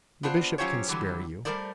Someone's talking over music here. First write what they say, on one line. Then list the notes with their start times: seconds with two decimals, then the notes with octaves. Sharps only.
The bishop can spare you.
0.23 B3 D4 F4 C5
0.58 F#3 C#4 F4 G4 C5 C#5
0.88 D3 E3 F#3 G3
1.45 G3 A3 B3 A#4 C5 D5